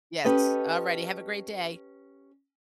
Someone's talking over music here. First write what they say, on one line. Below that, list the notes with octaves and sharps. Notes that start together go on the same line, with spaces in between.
Yes, alrighty, have a great day.
C#4 G4 A4 B4 D#5